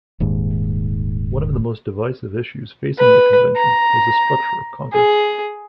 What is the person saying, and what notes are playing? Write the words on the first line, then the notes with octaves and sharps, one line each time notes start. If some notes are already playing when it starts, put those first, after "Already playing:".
One of the most divisive issues facing the Convention was the structure of Congress.
D#1 D#2 G#2
B4
A#5
G#4